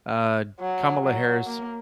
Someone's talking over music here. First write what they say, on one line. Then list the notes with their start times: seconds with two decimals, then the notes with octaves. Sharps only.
uh, Kamala Harris,
0.60 F#3
1.03 F#3
1.46 A#3